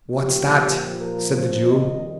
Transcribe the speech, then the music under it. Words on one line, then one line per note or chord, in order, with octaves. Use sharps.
'What's that?' said the Jew.
A#2 F3 G4
A#4
C5
F2 D#3 G3 D#5